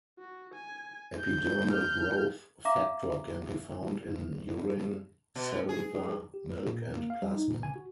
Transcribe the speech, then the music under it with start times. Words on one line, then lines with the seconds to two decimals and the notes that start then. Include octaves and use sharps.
Epidermal growth factor can be found in urine, saliva, milk, and plasma.
0.19 F#4
0.54 G#5
1.19 G6
1.70 F6 G6
2.65 E5 F5 A#5 D6
5.35 B2
5.69 G#4
6.34 G4
6.50 B4
6.67 A#2
6.82 A#4
6.96 A#3
7.10 F5
7.22 G3
7.36 D#4
7.48 A#2
7.63 G#5
7.76 F#4